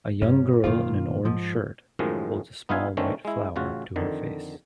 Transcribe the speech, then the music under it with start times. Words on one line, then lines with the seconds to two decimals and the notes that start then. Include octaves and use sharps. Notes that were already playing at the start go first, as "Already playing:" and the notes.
A young girl in an orange shirt holds a small white flower up to her face.
0.22 C2 G2 G3 C#4
0.64 F#2 B2 D#3 A#3 F4
1.25 G#2 F3
1.99 F#2 A2 D#3 F3 G#3
2.69 B3 D#4 F4 E5 F5 G#5
2.97 D3 D#3 A3 C4 C#4
3.25 G#3 E4
3.56 A1 C#3 F4 F#4
3.96 F2 D3 D#3